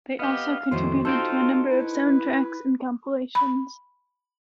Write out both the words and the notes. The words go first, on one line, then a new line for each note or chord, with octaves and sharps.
They also contributed to a number of soundtracks and compilations.
B3 G4 D#5 F5
F2 A2 D#3 F#4 C5
D#4 F4 A4 C5 G5
E4 B4
B5